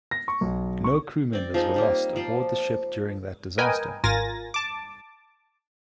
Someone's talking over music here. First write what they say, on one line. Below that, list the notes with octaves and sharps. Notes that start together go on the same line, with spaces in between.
No crew members were lost aboard the ship during that disaster.
A#6
C#6
B1
C#6
C4 D5
F3 G#3 D#4
G3 A#3
F3 D5 C6
A#4 B4 D#5 G5 G#5
G#1 F4 A#4 G#5 A6 A#6
A5 D6